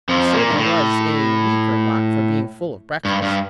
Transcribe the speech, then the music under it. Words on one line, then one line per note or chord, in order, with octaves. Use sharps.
He certainly was a weaker lock for being full of breakfast.
F2 F3
A#2
G2
A2
G2
G2